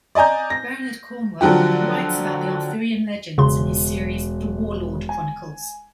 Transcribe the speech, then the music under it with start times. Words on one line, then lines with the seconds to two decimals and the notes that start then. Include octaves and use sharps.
Bernard Cornwell writes about the Arthurian legends in his series "The Warlord Chronicles".
0.15 D5 D#5 G#5 A#5 G6
0.50 A#6
1.41 D3 F3 F#3 F#4 G4
3.38 E1 C#3 C6
5.09 G#5